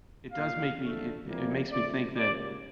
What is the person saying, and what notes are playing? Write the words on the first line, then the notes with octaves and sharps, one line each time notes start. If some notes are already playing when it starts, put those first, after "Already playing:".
it does make me it it makes me think that
A#2 G3 A#3 F5
F2 D3 A3
F2 E3 G3 A#3
C#2 C#3 F3 A3 D5
C#2 C#3 G3 A#3 D5